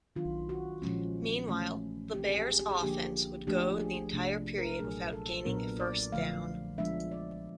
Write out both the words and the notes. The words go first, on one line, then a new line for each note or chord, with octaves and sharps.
Meanwhile, the Bears offense would go the entire period without gaining a first down.
D#3 F#3 B3 D4 F4
F#4
A#2 F3 G#3 C#4
E3 A3 C#4
E3 G#3 C4 G4
G#4
G4
G#4
G4
G#4
D3 F3 A#3 D4 G4
F3 A3 D4 G4
G#4
C3 F3 A3 D4
A#4
A4
A#2 F#3 A3 D4 G#4
A4
A#2 F#3 B3 D4 A#4
D5
D3 F3 A3 F5
F3 G#3 B3 D4 E5
D5